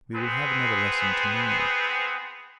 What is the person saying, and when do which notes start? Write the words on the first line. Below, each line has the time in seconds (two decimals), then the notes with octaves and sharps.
We will have another lesson to-morrow.
0.14 B3 C4 G#4 B4 C5